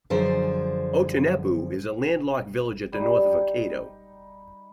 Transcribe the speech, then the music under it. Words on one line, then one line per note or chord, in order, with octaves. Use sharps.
Otoineppu is a landlocked village at the north of Hokkaido.
F#2 D3 F3 G#4 C5
G3 D#4 G4